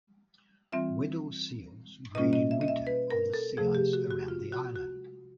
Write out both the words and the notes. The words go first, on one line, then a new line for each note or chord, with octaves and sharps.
Weddell seals breed in winter on the sea ice around the island.
E3 G3 C4 F4 E5
B2 G3 A#3 C#4 F4 D#5
D#5
E5
D#5
E5
B4
A#4
A4
C3 F3 A3 G#4
G4
F#4
F#4
F4
F#4
F#4